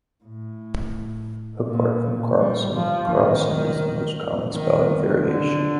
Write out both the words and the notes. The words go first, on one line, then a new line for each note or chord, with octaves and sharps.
Apart from "Karlsson", "Carlsson" is the most common spelling variation.
A2
A#2
G3
F3
D#3
D#3
D3